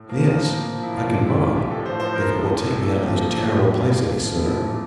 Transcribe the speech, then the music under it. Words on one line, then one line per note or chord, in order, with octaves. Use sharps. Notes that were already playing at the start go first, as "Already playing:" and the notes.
"Yes, I can run if it will take me out of this terrible place any sooner."
Already playing: A2
F3 A#3
C4
A2 A#3
F3
A#2
F3
A#2 E4
F3 F4
C3 D4
E3 E4
C3 F4
E3 G4
A2 A4
F3 C5
A2 C5
F3 A#4
A2 A4
E3
A2
E3
A4
A#2 G4
F3 F4
A#2 A4
F3
A2 G4
E3
A2 F4
E3
C3
F3
C3 E4
F3
A#2